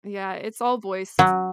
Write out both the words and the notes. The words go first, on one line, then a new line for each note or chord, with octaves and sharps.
Yeah, it's all voice.
F#3